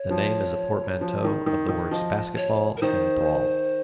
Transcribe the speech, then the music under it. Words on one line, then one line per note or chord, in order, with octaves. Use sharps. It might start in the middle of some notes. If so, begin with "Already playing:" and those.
The name is a portmanteau of the words basketball and brawl.
Already playing: C#5
F3
F3
D#3
D#3
D#3
F3 D#5
C#5
A#4
D#3 C5